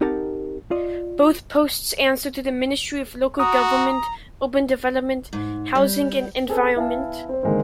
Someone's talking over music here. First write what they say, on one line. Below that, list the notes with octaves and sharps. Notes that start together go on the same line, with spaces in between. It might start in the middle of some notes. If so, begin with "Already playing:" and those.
Both posts answer to the Ministry of Local Government, Urban Development, Housing and Environment.
C4 D#4 G4 A#4 F#5 A5
F4 D5 D#5
F#4 A#5 D#6
G#2
G3
C4 G#4 A4 B4
B3 E4 F5 G#5 A5
C4 C5
D3 D#3 G#3 A#3 C4